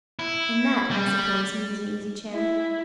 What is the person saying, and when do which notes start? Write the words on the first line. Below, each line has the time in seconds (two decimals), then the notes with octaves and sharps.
"And that, I suppose, means an easy-chair?"
0.19 E4
0.91 G3
2.34 E4